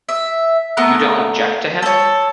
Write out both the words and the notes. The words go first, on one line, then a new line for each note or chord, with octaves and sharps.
You don't object to him?
E5
A3 B3 A#4 F#6
A4 C#5